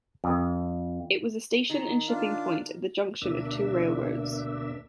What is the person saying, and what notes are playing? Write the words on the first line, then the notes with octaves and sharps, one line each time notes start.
It was a station and shipping point at the junction of two railroads.
F2
D#3 A#5
D4 F4
D2 B2 A#3 D4 E5